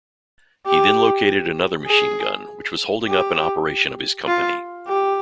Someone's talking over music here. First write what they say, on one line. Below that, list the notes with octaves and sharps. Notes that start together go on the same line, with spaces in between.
He then located another machine-gun which was holding up an operation of his company.
G4
G#4
G4
F4
G4